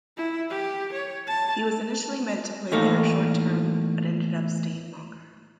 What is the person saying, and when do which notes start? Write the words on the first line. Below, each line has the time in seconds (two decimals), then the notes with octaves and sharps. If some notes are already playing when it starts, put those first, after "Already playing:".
He was initially meant to play there short term but ended up staying longer.
0.17 E4
0.50 G4
0.93 C#5
1.27 A5
2.72 E2 A2 A3 A#3 D#4